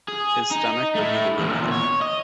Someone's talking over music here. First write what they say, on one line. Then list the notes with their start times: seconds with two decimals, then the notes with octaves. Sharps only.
His stomach will be the ruin of him.
0.08 G#4
0.51 D#4
0.95 A3 E4
1.39 E2 A#2
1.71 C#5
2.01 D#5